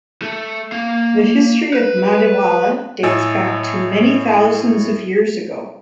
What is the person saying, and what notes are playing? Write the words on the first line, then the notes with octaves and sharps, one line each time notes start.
The history of Madiwala dates back to many thousands of years ago.
A3
A#3 F5
B4
A2 C#5 D#5 G#5 E6 A6